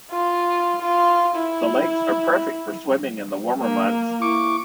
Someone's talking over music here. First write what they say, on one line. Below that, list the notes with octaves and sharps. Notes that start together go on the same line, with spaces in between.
The lakes are perfect for swimming in the warmer months.
F4
F4
E4
A#3
E4 C#6 D6